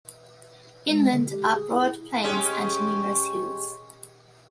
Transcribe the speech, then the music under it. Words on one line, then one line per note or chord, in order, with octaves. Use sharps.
Inland are broad plains and numerous hills.
G#3
D3
G4
G#4
E4
G#3 C#4 G4